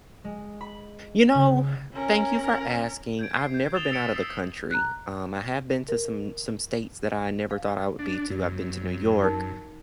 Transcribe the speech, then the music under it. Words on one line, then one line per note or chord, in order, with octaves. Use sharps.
You know, thank you for asking. I've never been out of the country. Um, I have been to some some states that I never thought I would be to, I've been to New York,
G#3
B5
C#3
C#4 A#4
G6 G#6 D7
C7
G6
D#6 A6 E7 F7 G7
E6 A6 B6 C#7 D7 E7
E6 C7
A#5 F#6
A#4
F5
D4
F#2
D#4 A#4